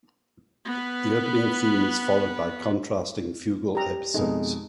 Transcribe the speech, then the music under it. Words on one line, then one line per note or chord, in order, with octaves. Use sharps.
The opening theme is followed by contrasting fugal episodes.
B3 B4
G4 A#5
F2 B2 G#3 D#4